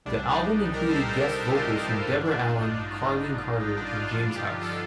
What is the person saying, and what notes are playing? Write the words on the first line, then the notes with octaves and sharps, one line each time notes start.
The album included guest vocals from Deborah Allen, Carlene Carter, and James House.
C2 C3 G3 D4
D#4
C2 C3 G3
G4 A#4
A4 C5
C2 C3 G3 A4 C5
G4 A#4
G4 A#4
F4 A4
C2 C3 G3 D#4 G4
D#4 G4
A1 G2 D3 D4 F4
D4 F4
D#4
A1 G2 D3 D#4
D4
D#4
A1 G2 D3
A1 G2 D3 D#4
D4
F4
D#4
G2 D3 F3 D4 F4
D#4 G4
D3 F3 F4 A4